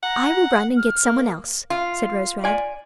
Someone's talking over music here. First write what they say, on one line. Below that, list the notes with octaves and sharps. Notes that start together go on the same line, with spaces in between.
"I will run and get someone else," said Rose-Red.
F#5 A#5
F6
A#3
F4
D5 G#5